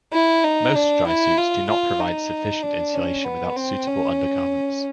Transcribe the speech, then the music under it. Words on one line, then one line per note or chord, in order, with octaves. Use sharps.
Most drysuits do not provide sufficient insulation without suitable undergarments.
E4
D#4
D4
E4
F4
F4
D#4
D4
C#4
B3
C4
C#4